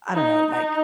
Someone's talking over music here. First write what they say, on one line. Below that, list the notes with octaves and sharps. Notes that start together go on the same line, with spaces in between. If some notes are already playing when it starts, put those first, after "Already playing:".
I don't know, like,
D#4
D#4